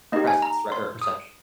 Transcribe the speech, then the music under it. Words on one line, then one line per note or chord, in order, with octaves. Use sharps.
presence, right, or perception
A#3 D#4 G4 D#5
G#5
A#5
C6
D#6